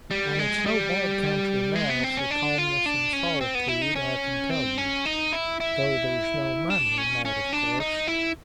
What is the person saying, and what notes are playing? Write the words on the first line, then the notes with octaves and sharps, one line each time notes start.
And it's no bad country now for calmness and solitude, I can tell you--though there's no money in that, of course.
G3
G#3
G3
G#3
B3
C4
C#4
D4
F4
D4
C#4
C4
B3
E4
D#4
C#4
C4
C#4
D#4
E4
E4
D4
C#4
C#4
D4
D#4
E4